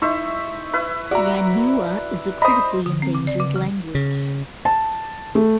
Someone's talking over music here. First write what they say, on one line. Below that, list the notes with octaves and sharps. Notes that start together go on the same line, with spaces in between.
Yanyuwa is a critically endangered language.
D#4 E4 C5 E5 C#6
E4 B4
F#4 D5 A#5
C5 D#5 A#5 B5 D#6
D3
C4
C#3
D5
C#3
E3
C#3
A5
A3